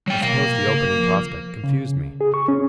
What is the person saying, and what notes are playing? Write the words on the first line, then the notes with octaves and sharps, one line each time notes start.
I suppose the opening prospect confused me.
F#3 G5
B2 A#4 F5
C#3
F3
C#3
G#4
C#6
C#4